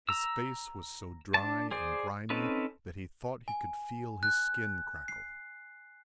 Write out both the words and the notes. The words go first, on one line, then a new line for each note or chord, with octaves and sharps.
His face was so dry and grimy that he thought he could feel his skin crackle.
A#5 E6
D4 A5
G#4 C5 D5
C4 C#4 D#4 A4 B4
G#5
F#6
C7